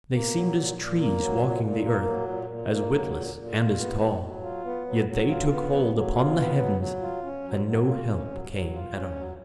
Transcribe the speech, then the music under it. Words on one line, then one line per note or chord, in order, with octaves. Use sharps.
They seemed as trees walking the earth, As witless and as tall, Yet they took hold upon the heavens And no help came at all.
A#3
F#3
A#2
A#2
A#3
F#3
A#2
A#2
A#3
F#3
A#2
A#2
A#3
F#3
A#2
A#2
F4
B3
F#3
F#3
F4
B3
F#3
F#3
F4
B3
F#3
F#3
F4
B3
F#3
F#3
F4
C#4
F#3
F#3
F4
C#4
F#3
F#3
F4
C#4
F#3